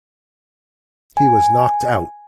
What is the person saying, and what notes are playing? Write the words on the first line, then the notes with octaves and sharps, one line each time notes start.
He was knocked out.
G#5